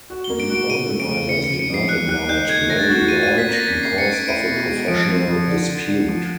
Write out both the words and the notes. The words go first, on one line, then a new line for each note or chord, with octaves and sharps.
The organisers did not invite Marie Lloyd, because of a professional dispute.
F#4
G7
A#3
D7
F#4
D7
C#3 D#7
A3
D7
C#3
C#3 C#7
C#7
C#3
C#7
F2 C7
G3 F#6
G4 F#6
D#4 G6
A3 G#6
A3 A#6
A6
F#4
F4 D#7
D#7
D4
B6
A#3 A#6
C#4 B6
C7
C#4
C#7
A3
D7
E4 D#7
B2
G#3
F3 D7
C4
F3
D3
D3
D3
F3